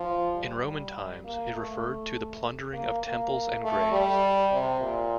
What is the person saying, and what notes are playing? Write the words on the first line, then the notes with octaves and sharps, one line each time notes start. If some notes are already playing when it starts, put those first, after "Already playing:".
In Roman times it referred to the plundering of temples and graves.
Already playing: F3
G3
A#3
A3
A#3
A#3
A3
G3
C3
A#2